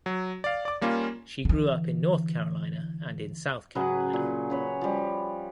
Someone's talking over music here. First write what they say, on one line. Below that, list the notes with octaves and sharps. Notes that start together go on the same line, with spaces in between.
She grew up in North Carolina and in South Carolina.
F#3
D5 F5
D5 D6
G3 A#3 C#4 F4
D3 E3
C#3 F#3 G#4 B4
A#2
C#4 B4 C#5
F3 G3